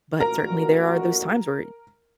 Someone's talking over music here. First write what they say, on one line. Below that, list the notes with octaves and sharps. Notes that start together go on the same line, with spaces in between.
but certainly there are those times where
A1 A#2 F#4 A#4 A#5